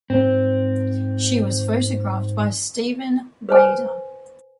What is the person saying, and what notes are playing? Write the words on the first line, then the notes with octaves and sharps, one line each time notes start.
She was photographed by Stephen Wayda.
G#2 C4
B4 C5 G#5